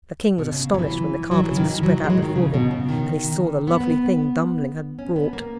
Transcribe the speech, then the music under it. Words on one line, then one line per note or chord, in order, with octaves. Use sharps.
The King was astonished when the carpets were spread out before him and he saw the lovely thing Dummling had brought.
B2
C#3
F#3
E3
E3
F#3
E3
C#3
D#3
E3
F#3
E3
G#3
F#3
D#3
C#3
B2
C#3
D#3
B3
B3
C#4
B3
A#3